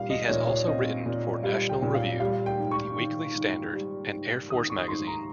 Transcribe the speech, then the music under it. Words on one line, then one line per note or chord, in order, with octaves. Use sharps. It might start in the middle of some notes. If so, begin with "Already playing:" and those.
He has also written for "National Review", "The Weekly Standard" and "Air Force Magazine".
Already playing: A#2 G3 F5
D#5
A#2 C#5
C#5
C4 D#5
A#2
G3 F5
G5
A#2
F5
G3 F5
G5
G#2
C#6
D#3
G#2
G3
G#2
D#3 D#6
C#6
G#2 C6
A#5